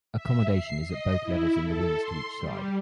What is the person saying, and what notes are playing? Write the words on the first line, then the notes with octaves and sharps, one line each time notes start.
Accommodation is at both levels in the wings to each side.
E5
C7
D#5
E4
A4
C6
G3